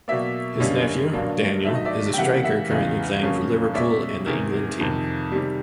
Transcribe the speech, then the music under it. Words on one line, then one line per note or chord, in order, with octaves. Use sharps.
His nephew, Daniel, is a striker currently playing for Liverpool and the England team.
B2 F#3 A#3 D5 E5
F#2 D3 G3 A#3 C#5 D#5
G2 D3 F#3 A#3 D4
G2 D#3 F#3 A3 E5
D#5
D5 E5
G5
C#3 E3 G3 A#3 E5 F#5
E5 F#5
E2 C#3 E3 D#5 F5
F2 C#3 F#3 A#3 C#4
B2 G#3 C#4 D5 E5
E2 C3 D#3 G#4 A#4
F2 C3 D#3
C3 D#3 G3